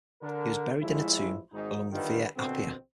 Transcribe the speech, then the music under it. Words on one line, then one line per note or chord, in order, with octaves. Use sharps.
He was buried in a tomb along the Via Appia.
D3 A#4
A1 F3 G#3 E4
G#1 G#2 D#4
D#2 D3 D#3 G3 F4 B4
A#1 B2 D3 C4